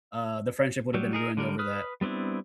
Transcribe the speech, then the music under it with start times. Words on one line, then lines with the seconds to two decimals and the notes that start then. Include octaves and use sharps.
uh, the friendship would have been ruined over that.
0.94 F#3 G3
1.13 D#4 G#4 A#4
1.37 D3 G3 A#4
1.59 B4 D#6 F6
2.01 G3 B3 C4 D4 E4